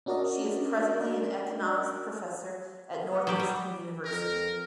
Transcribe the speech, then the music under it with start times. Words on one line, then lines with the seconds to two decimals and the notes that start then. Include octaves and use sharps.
She is presently an economics professor at Northeastern University.
0.06 C#4 D4 F#4 A#4 D5 D#5
3.12 B3
3.27 F#3 G4
3.40 G3
4.05 F2 A#4